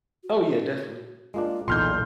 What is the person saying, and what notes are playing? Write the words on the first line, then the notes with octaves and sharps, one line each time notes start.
Oh yeah, definitely.
F#4
G#3 A#3 D4 F4
B1 E2 A#2 D#4 A4 C6 F6 G6